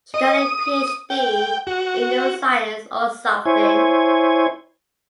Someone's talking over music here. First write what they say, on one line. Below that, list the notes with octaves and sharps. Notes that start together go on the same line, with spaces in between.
She got a Ph.D. in neuroscience or something.
D#5
D#6
G5
F#4
E4 C5 C#5 G#5